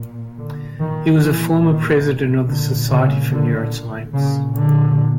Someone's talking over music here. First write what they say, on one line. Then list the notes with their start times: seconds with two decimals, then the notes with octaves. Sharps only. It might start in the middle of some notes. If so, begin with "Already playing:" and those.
He was a former president of the Society for Neuroscience.
Already playing: A#2
0.38 D3
0.80 A#2 D#3
1.22 E3
1.63 D#3
2.46 A#2 D3
2.88 C#3
3.31 D3
4.14 A#2 C#3
4.55 D3